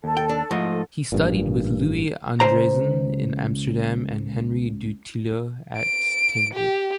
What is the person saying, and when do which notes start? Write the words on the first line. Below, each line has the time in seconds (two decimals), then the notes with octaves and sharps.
He also studied with Louis Andriessen in Amsterdam and Henri Dutilleux at Tanglewood.
0.04 D#2 A4 A5
0.17 G5
0.29 D4
0.51 G#2 F3 A3 E4 D#5
0.71 A4
1.12 A1 G2 A#2
2.40 C#2 C5 A#5
5.78 D7
6.54 G4